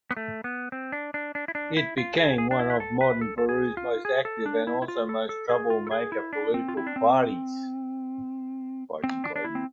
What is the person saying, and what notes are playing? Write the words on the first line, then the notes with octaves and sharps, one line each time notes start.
It became one of modern Peru's most active and also most trouble-maker political parties.
B3
A3
B3
C4
D4
D4
D4
E4
D4
E4
F4
G#4
G#4
D4
E4
B4
A4
B4
A4
A4
G#4
F4
G#4
A4
D4
E4
E4
F4
A4
A4
G#4
F4
A4
G#4
E4
D4
C4
F4
E4
D4
C4
C4
D4
D4
E4
C4